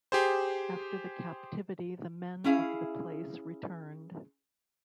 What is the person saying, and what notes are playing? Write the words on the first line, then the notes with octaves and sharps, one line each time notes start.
After the captivity the men of the place returned.
G4 G#4 C5
C#4 E4 G#4 F5